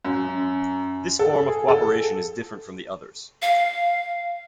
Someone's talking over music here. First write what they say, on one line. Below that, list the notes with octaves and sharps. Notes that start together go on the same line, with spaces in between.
This form of cooperation is different from the others.
F#2
A4
G#4
A4
F5